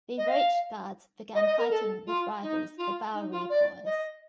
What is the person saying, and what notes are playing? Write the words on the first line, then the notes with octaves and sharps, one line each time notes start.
The Roach Guards began fighting with rivals the Bowery Boys.
D#5
F5
D#5
D#5
A#4
A4
F4
D#4
F4
D#4
F4
D5
D#5